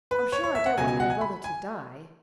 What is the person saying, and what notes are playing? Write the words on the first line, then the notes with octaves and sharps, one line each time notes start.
"I'm sure I don't want my brother to die."
B4
C#5
C#5
E5
F#5
C#2 B2 F#3 G#5
G#5
F#5
G#5
B5
G#5